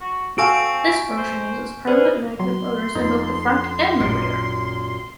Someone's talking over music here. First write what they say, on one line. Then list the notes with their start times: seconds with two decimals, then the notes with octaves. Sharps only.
This version uses permanent magnet motors in both the front and the rear.
0.01 F#4
0.38 C4 F#4 A4 F5 G#5 C#6 D7
1.17 C5
1.87 G#4 B4 C5 D5
2.40 F#3 C6
2.95 F2 D#4
4.00 A1 F#2 A#2